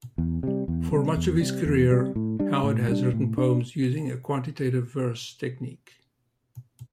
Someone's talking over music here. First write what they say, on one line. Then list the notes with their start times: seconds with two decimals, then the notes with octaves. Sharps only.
For much of his career, Howard has written poems using a quantitative verse technique.
0.18 E2
0.43 C3 G3
0.68 E2
0.92 C3 G3
1.17 E2
1.41 C3 G3
1.66 E2
1.91 C3 G3
2.16 A2
2.40 G3 D4
2.64 A2
2.88 G3 D4
3.13 A2
3.38 D4